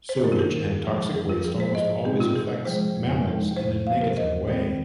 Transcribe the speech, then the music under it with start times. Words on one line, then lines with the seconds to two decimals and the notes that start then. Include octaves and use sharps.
Sewage and toxic waste almost always affects mammals in a negative way.
0.09 C5
0.24 D#3 A#3 D#4 A#4
0.32 F4
0.39 G#4
0.54 F2
0.85 F3 G#3
1.14 F2 G#4
1.29 F4
1.44 F3 G#3 G#4
1.60 C5
1.75 G#2 D#5
2.05 G#3 C4 D#4 G#4
2.20 F4
2.35 C3 G#4
2.65 F3 G#3 C5
2.97 F2
3.26 C3 F3 G#3 D#4
3.57 F2 C5
3.86 C3 F3 A#3 F5
4.01 A#4
4.09 C5
4.17 D#2 D#5
4.48 D#3 G#3 C4 C5